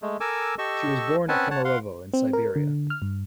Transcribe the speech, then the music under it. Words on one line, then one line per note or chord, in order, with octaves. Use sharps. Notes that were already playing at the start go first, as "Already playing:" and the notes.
She was born at Kemerovo, in Siberia.
G#3 A3
A4 A#4 G#5 D6 E6
G4 A4 D#5 C#6 E6
C4 C#4 B4 F#5 G#5 A5
C#5 F#5 A5
F5 F#5 C6
C4
A#4
D3
F6
G2